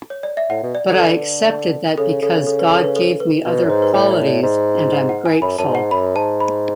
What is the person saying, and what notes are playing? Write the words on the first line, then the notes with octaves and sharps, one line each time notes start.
But I accepted that because God gave me other qualities and I'm grateful.
C#5
D5
E5
A2 F#5
B2
D5
D3
A4
D3 B4
C#3 A4
C#3 A4
A4
B4
A4
B4
A4
B4
B2 B4
B4
F#2
G#2 C#5
B4
A2 C#5
D5
D5
G#2
F#5
F#5
G#5
F#2 B5
F#2 A5
G#2
F#5
F#2 B5
G#2 A5
B5